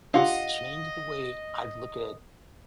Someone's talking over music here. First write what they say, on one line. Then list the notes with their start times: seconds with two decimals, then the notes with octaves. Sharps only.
it's changed the way I'd look at
0.14 D4 F4 G4 D#5 F5 F#5